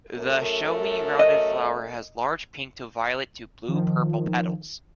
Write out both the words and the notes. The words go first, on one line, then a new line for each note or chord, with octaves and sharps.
The showy, rounded flower has large pink to violet to blue-purple petals.
F#2 A3 A#4
D#5
D#3 F3